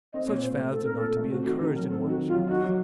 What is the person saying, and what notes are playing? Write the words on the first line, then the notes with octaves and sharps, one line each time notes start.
Such fads are not to be encouraged in one's youth.
C4 D#5
A#2 C#5
A#2 C5
A3 C5
C4 A4
A#2 A#4
A4
A#2
A3
C4 F#4
D#3 F#4
D#3 D#4
F#3 A#4
C4 A4
D#3 F#4
D#3
F4
F#3
D#4 F#4
F#3